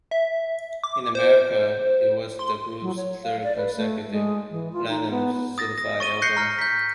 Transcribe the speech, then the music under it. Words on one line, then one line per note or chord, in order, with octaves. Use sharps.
In America, it was the group's third consecutive Platinum-certified album.
E5
D6
C5
C6
F#3
C#5
F5
D5
B4
A3
G#3
E3
F4
D#4
B3
D#6 A6 A#6
D#6 A#6
C#6 A6 D#7 G7
F#6 G6 A#6 C7 C#7 G7
A#5 F6
G6 B6